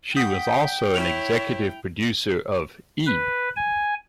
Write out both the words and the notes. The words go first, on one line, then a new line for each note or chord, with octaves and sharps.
She was also an executive producer of E!
F#5 G5 D#6 G6 B6
E4 C#5 F7
B4
G#5